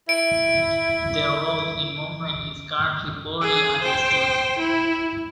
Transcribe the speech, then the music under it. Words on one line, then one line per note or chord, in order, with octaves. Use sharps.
Their role in movement is currently poorly understood.
E4 D7
G#4
C5 G5
E4